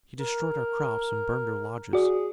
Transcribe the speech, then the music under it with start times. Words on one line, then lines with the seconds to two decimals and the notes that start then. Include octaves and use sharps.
He destroyed our crops, and burned our lodges.
0.19 A#4
1.93 F#4 G#4 D5